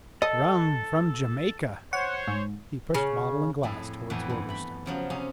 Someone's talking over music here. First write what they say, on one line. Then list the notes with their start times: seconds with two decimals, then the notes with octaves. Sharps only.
"Rum, from Jamaica." He pushed bottle and glass towards Wolverstone.
0.22 A4 D#5
1.93 C5 C#5 F#5
2.28 G#2
2.94 C#3
3.63 F2 A2 G#4 A4
4.10 F2 A2 E3 A3 B3
4.30 G2
4.49 A3 B5
4.86 C#3 F3 F#3
5.10 C3 C#4 D#4 F4